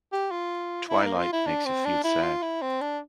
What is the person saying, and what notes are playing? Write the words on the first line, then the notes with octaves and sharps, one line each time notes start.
Twilight makes you feel sad.
G4
F4
E4
A#3
F4
E4
D4
C4
D4
E4
F4
E4
C4
D4